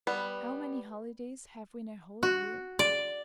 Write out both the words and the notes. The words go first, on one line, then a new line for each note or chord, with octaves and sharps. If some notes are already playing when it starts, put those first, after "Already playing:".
How many holidays have we in a whole year?
G3 B3 B4
F#4
D5